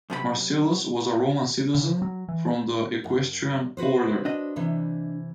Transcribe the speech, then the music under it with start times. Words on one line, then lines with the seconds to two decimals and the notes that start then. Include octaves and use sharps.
Marcellus was a Roman citizen from the Equestrian order.
0.10 F#2 C3 G#4 B5
1.75 C#3
2.02 F#3
2.28 E3
3.04 F#2
3.77 F#4 B4 C5
4.25 D4 D#5
4.56 C3 E3